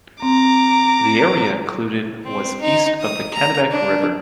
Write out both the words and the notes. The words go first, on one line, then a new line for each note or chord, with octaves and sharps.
The area included was east of the Kennebec River.
C4 A#5 D6
C4
D#4
D#6
A#5
D4